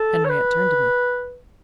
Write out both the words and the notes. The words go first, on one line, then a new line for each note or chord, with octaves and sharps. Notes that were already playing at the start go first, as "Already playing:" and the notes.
Henriette turned to me.
Already playing: A4
C#5
B4